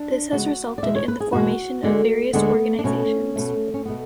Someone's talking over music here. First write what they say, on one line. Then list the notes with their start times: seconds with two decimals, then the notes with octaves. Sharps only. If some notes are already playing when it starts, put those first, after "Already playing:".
This has resulted in the formation of various organizations.
Already playing: D4
0.32 D2 C#3 G#3 B3 F#4
0.78 D5
0.83 E2 B2 G#3 E5
0.95 C#5
1.08 B4
1.20 G#4
1.33 E2 B2 G#3 F#4
1.83 D2 D3 G#3
2.33 D2 D3 G#3 B3
2.79 D4
2.84 B2 A3 C#4
3.36 B2 A3
3.74 C#4
3.85 B2 A3 B3